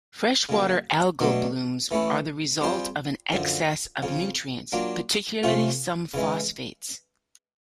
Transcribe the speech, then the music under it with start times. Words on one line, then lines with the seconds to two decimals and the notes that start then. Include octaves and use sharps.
Freshwater algal blooms are the result of an excess of nutrients, particularly some phosphates.
0.49 C#3 F#3 A#3
1.20 B2 F#3 A3 D4
1.91 E3 A3 C#4 E4
2.61 G3 C4 F4 G#4 C5
3.32 F#2 D3 F3
4.02 F2 C#3 F3
4.72 F#3 A#3 D4 F4
5.43 C3 F3 A3 C#4 F4
6.14 C#3 E3 G#3